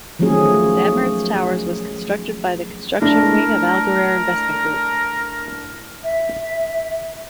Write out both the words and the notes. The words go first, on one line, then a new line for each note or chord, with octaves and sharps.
The Emirates Towers was constructed by the construction wing of Al Ghurair Investment group.
D#3 F3 F#3 A3 C#4 G#4
A3 D4 E4 A#4
E5